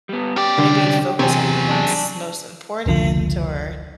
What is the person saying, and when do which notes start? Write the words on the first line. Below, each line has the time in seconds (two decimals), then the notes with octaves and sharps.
maybe focus on what's most important or
0.09 G3 B3
0.36 C#4 G4 D5
0.58 C2 D3
1.19 E2 C3 F#3 G#4
1.70 D4
2.86 F1 C#2 D3 F3